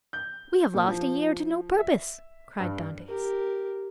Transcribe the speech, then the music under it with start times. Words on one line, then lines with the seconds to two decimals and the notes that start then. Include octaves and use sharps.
"We have lost a year to no purpose!" cried Dantes.
0.13 G6
0.74 A#2
0.88 F3
1.79 E5
2.60 G2
3.08 G4 A#4